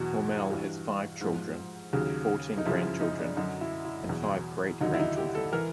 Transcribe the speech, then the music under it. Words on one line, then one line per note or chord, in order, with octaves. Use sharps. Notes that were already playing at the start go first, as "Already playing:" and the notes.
Hormel has five children, fourteen grandchildren, and five great-grandchildren.
Already playing: E2 B2 F#3 F#4
G2 E3
G#2 F3
D#2 C#3 F#3
D#4
F#2 C#3 F3 E4
E4
D#4
D4
F#2 D3 F#3 D#4
E4
E4
E2 B2 F#3
D#2 D3 F#3 D#4
E4
D#4
G4
A4
E3 A#4